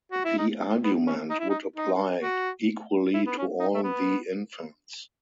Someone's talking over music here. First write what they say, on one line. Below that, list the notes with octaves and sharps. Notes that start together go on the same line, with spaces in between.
The argument would apply equally to all the infants.
F#4
E4
D#4
B3
C#4
D#4
E4
D#4
D#4
F#4
E4
B3
C#4
D#4
A3
B3